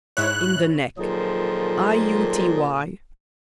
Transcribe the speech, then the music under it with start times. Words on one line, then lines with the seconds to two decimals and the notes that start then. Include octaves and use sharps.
In the neck. I.u.t.y.
0.17 G#2 E4 C#5 F#6
0.98 A#2 D#3 F3 F#3 G#4 A4